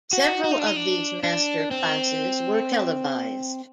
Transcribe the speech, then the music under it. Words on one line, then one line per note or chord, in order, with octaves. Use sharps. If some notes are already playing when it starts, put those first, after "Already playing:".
Several of these master classes were televised.
F#4
F#4
D#4
D4
D#4
D4
D4
C4